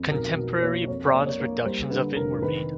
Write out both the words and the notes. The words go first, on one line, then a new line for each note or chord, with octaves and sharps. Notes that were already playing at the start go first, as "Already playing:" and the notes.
Contemporary bronze reductions of it were made.
Already playing: F2
B1 A#4
B2
A#3 C#5
F2 C#5
D5
A#3
C#5
A#3
G3 C5
D3 B4
F1 A#4
D#3 B4